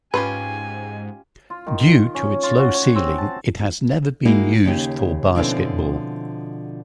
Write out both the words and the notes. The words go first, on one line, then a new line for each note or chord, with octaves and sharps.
Due to its low ceiling, it has never been used for basketball.
G#2 C#4 F4 G4 B4 G#5
F4
D#3
C#4
F4
F#4
C#5
C4
A5
G#3 A#3 D#4 E4 F#4
D#2 C#3 D#4 G4
B2 D3 F3 C4 C#4 E4